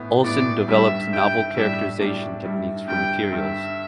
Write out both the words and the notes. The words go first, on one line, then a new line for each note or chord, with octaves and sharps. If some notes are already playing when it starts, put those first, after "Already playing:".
Olsson develops novel characterisation techniques for materials.
Already playing: A2 E3 B3
A2 E3 B3 D5
G2 G3 E4 E5
G2 G3 E4 G5
A2 G3 D4 E5
A2 G3 D4
G2 G3 E4
G2 G3 E4 G5
G2 D3 G3 E5